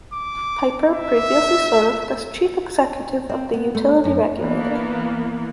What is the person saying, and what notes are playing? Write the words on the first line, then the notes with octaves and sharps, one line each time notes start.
Pyper previously served as Chief Executive of the Utility Regulator.
D6
E5
C4
B3
A3
F#2
E3 A#3 B3